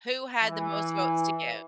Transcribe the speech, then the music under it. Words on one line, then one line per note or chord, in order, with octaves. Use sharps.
who had the most votes to get.
E3